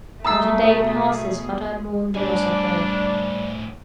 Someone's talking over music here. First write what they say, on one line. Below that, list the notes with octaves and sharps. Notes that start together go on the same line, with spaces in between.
Not a day passes but I mourn the loss of her.
B2 A3 G#4 A5 A#5 D#6 E6 C7
A2 G3 D4 G#4